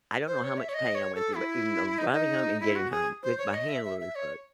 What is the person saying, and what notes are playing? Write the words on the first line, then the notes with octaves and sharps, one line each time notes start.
I don't know how much pain I went through, but even though, I'm driving home and getting home, 'cause my hand literally froze.
C5
C#5
E5
C#5
D#5
C#5
A4
E4
D#4
D#4
E4
F#4
G#4
C5
C#5
D#5
E5
E5
E5
C#5